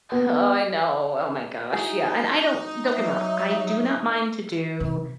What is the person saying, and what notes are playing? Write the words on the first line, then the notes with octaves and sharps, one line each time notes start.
Oh, I know. Oh my gosh, yeah. And I don't don't get me wrong. I do not mind to do
B3
D#4 E4 F#4 G#4
F#3 E5
C3